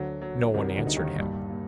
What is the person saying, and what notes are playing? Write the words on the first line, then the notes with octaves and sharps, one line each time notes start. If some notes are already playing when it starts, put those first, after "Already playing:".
No one answered him.
Already playing: D2 D3 F#3
F#3
C2 C3 D#3
D2 D3
D#4
D#2 D#3
G2 A#2 G3
A#2